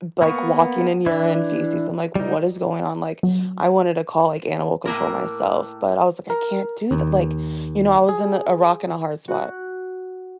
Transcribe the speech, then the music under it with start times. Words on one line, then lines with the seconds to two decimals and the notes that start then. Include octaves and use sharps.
like, walking in urine, feces. I'm like, "What is going on?" Like, I wanted to call, like, animal control myself, but I was like, "I can't do th" Like, you know, I was in a a rock and a hard spot.
0.22 A#3 B3 C#6
1.06 E3 D4 E4
2.15 G3 D#4
3.23 F#3
4.85 A2 A#3 A#4
6.30 A#4
6.91 D#2
8.09 G#4
9.28 F#4 F#6